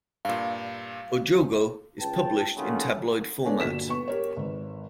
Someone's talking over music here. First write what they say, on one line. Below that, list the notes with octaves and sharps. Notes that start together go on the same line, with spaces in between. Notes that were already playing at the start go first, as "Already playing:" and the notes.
"O Jogo" is published in tabloid format.
G2 A#2 F5
C#2 B4 G5 A5
A#1 D#2 C#3 A3 F4 F#5
G#3 B3 D4 A4 C#5 G#5
G1 A#2 F#4 B6 E7
B3 C#6
G4 A#4 C#5
G#1 B4